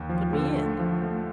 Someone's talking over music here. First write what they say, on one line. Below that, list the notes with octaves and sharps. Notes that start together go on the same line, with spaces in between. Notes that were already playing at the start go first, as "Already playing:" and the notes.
"Put me in."
Already playing: D#2
F3
D3
A3
F3
A3